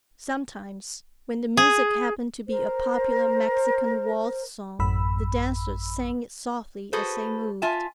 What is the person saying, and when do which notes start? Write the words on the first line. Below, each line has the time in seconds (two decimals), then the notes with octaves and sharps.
Sometimes, when the music happened to be a popular Mexican waltz song, the dancers sang it softly as they moved.
1.57 G#4
2.47 A#4 C5
4.79 A1 F#2 B5 E6
6.93 F#4 G#4 A4 B4 C5
7.62 F4 E5 G#5 A5